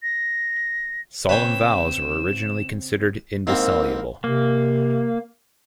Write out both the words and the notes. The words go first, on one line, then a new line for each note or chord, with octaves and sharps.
Solemn vows were originally considered indissoluble.
A#6
C#3 C4 B4 C#5 G5 E7
G#2 A#3 C4 E4 A#4 F5 E6
C3 A#3